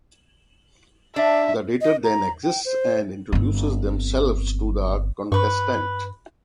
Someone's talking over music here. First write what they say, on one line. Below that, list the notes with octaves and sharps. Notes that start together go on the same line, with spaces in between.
The dater then exits and introduces themselves to the contestant.
D4 E5
D#5
A#5
G5
C5
G1 C4
G2 B4 C#6